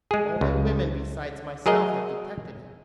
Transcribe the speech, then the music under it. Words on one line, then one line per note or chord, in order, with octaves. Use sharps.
Only women besides myself have detected him.
G#3 G#4
C#2
F#3 G#4 A#4 D#5